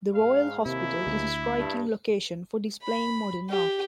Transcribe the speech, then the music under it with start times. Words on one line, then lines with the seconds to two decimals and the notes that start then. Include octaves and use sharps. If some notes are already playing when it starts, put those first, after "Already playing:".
The Royal Hospital is a striking location for displaying modern art.
0.14 G#2 F5
0.66 D#2 C3 E4
1.07 D2
1.58 G2
2.82 B5
3.49 G4